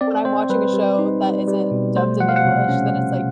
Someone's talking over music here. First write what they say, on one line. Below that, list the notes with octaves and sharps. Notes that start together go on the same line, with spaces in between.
when I'm watching a show that isn't dubbed in English, then it's like,
C4 D5
C4 C5
G3 B4
G3
D#4
G3
G3
B2
A3 C5
F3 F#5
F5
F#5
C3
C#4